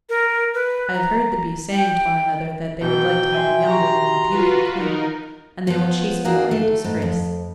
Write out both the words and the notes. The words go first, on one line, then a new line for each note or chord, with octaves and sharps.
I have heard the Bees saying to one another that they would like to have a younger and more beautiful Queen, and they will chase me away in disgrace.
A#4
B4
A#5
G5
B2 E3 F#3 G5
C5 E5 G#5
G4 A#5 C6 C#6
F4 F#4 B4
D#4 A#4
F3 B3
A#3 D4 F#4 G#4
A3
G#2
F2